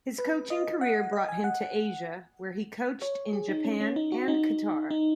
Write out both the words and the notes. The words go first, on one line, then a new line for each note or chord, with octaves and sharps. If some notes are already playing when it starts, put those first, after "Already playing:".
His coaching career brought him to Asia, where he coached in Japan and Qatar.
B4
D#5
F#5
D#5
G#5
F#5
C#5
G#4
D#4
C#4
C#4
D#4
F#4
D#4
D#4